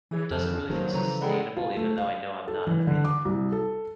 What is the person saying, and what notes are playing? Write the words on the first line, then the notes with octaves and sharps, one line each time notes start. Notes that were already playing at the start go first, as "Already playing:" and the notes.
doesn't really feel sustainable even though I know I'm not I mean,
E3 E4 G#4 C#5
F2 A4 G#5 A5 F6 F#6
D#3 F#3 A#3 C5
C#3 E3 F3 A4 A#5
G#3 G#4 A4 D5 F#5 G5 B5
F4
A3
F5
A4
E3
D3
D6
C2
A4